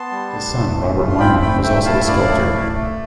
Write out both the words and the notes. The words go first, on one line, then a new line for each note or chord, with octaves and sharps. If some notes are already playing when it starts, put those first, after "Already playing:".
His son Robert Weinman was also a sculptor.
Already playing: B3 A5 C6
G3
D4
A3
A3
F4
C6
C4 G5 B5
A3 G5 B5
A3 E5 G5
E4 F5 A5
E4 D5 F5
A3
A3
A3